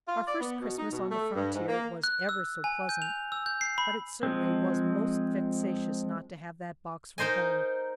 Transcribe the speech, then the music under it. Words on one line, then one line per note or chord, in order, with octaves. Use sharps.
OUR first Christmas on the frontier was ever so pleasant, but it certainly was most vexatious not to have that box from home.
F4
D5
B3
B2
D#4
B2
A3
G2
G#2
A#3
F#6
E6
G#5
G6
F7
E6
G6
C7
B5
F3 G#3 C4
D#4 A#4 C5 D#5 G#5